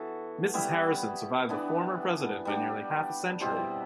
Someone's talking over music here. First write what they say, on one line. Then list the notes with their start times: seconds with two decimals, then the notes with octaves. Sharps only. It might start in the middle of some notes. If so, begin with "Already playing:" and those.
Mrs. Harrison survived the former president by nearly half a century.
Already playing: E3 B3 F#4 A4
0.54 G3 B3 E4
1.49 E3 B3 D4
2.45 G3 D4 G4
3.40 B2 G3 C4 E4